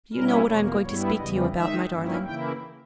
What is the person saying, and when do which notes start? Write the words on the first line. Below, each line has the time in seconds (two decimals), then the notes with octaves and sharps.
"Do you know what I am going to speak to you about, my darling?"
0.13 B2 G3 C#4 E4 A#4
0.49 E2 B2 A#3 C#5
0.84 G2 G3 B3 E4 C#5
1.19 E2 C#3 E3 G3 D#5
1.54 D#3 G#3 D#4 E5
1.89 G2 D#3 A#3 C#4 E4
2.24 C#3 E3 A#3 E4 G5